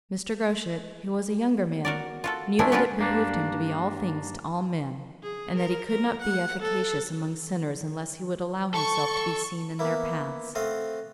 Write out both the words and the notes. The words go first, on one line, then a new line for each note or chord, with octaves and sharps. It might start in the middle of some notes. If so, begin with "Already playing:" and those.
Mr. Groschut, who was a younger man, knew that it behoved him to be all things to all men, and that he could not be efficacious among sinners unless he would allow himself to be seen in their paths.
F#4 A#4 D5
F4 F#4 A4
E3 F3 A3 A#3 D4 E4
B3 C#4 D4 F4 F#4 B4
G2 A#3 D4
G#4
A#4
A#4
F#5
A4
A4 C#6
A#3 B3 E4
A3 C4 D#5 F5 F#5